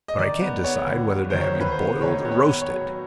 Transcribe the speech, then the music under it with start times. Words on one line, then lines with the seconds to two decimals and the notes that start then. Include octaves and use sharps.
But I can't decide whether to have you boiled or roasted.
0.08 D#5
0.18 D#3 D5
0.41 B3
0.64 B3 C#5
0.87 D#2
1.10 F#3
1.30 D#3 C5
1.41 C#5
1.56 D#2 B4
1.72 C5
1.79 B3
2.01 D#3 C#5
2.25 B3
2.31 C#5
2.47 B3
2.62 C#5
2.70 F#3